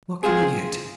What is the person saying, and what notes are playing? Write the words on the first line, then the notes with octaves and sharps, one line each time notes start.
"What can you get?"
G#3 C4 F4 G#4